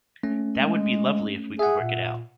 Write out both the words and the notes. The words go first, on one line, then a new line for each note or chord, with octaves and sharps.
That would be lovely if we could work it out.
A3 C#4
G#3
G#4 E5 F#5
A#2